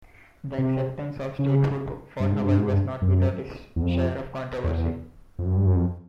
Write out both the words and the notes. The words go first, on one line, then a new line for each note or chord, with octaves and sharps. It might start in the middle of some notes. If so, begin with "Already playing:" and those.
The acceptance of statehood for Hawaii was not without its share of controversy.
C3
C#3
G2
G#2
G2
G#2
G2
F#2
E2
F2
E2
F2
F#2
G2
F#2
F2